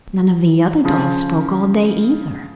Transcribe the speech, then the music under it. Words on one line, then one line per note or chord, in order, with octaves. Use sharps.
None of the other dolls spoke all day, either.
C#3 F3